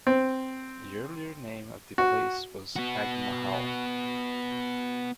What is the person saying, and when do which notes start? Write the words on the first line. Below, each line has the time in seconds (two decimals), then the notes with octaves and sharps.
The earlier name of the place was Agmahal.
0.07 C4
1.98 F#4
2.76 B3 F#4